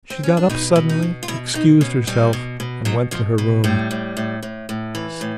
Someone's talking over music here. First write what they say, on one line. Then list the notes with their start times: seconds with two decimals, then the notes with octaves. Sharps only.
She got up suddenly, excused herself, and went to her room.
0.10 C4
0.23 C#4
0.37 D4
0.50 B2 D#4
0.76 B2
0.89 D#4
1.02 B2
1.23 F4
1.28 B2 E4
1.54 B2 D#4
1.81 B2 C#4
2.07 B2 G3
2.33 B2
2.60 B2
2.85 B2 F#3
3.11 B2 F3
3.38 B2
3.64 A2 G3
3.91 A2
4.17 A2
4.43 A2
4.69 A2
4.95 E3
5.21 A2